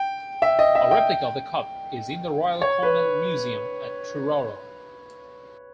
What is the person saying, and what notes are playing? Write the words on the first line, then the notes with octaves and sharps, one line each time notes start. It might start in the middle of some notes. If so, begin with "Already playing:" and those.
A replica of the cup is in the Royal Cornwall Museum at Truro.
Already playing: G5
E5
D#5
E5
G5
C#5
B4